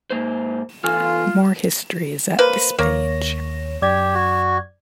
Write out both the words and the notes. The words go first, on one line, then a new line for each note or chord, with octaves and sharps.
More history is at this page.
G#2 A#3 C5
E2 F4 A4 G#5 F6
A#3 B4 C5
D#2 A#3 C#5 A#6
F#2 G4 D5 G#6
F#4